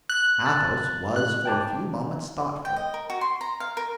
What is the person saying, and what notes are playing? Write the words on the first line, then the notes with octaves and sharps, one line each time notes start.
Athos was for a few moments thoughtful.
F#6
A6
A2 F#6
G5 A5 D6
G5
D#5
A#4
F#4
C6
A#5
F5
A#4